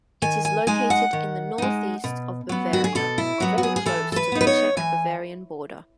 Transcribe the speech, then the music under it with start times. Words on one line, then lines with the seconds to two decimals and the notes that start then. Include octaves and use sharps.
It is located in the northeast of Bavaria, very close to the Czech-Bavarian border.
0.22 D#3 G#5
0.45 G#5
0.67 G#3 D#4 G#5
0.90 F#5
1.13 D#3
1.58 G#3 D#4
2.04 B2
2.49 F#3 B3
2.73 F#4
2.84 G#4
2.95 B2 A4
3.18 E4
3.40 F#3 B3 F#4
3.58 F#4
3.63 G#4
3.76 G#4
3.86 E3 A4
4.12 A4
4.16 B4
4.32 B3 D#4
4.41 B4
4.47 C#5
4.77 E3 G#5